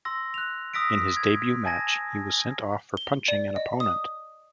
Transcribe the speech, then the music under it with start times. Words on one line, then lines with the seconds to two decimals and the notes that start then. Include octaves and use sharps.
In his debut match he was sent off for punching an opponent.
0.05 C6 E6 A#6
0.34 F#6 F7
0.74 D#6 E6 A#6 B6 D7
1.17 G#6
1.65 G#5 A5 G#6 A#6
2.97 G7
3.28 D5
3.56 D#5
3.80 D#6